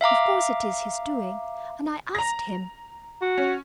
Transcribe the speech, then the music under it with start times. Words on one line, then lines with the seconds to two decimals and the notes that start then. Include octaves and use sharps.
"Of course it is his doing--and I asked him!"
0.01 E5 F5 A#5 D6
2.15 A#5 A#6
3.22 F#4
3.38 C#4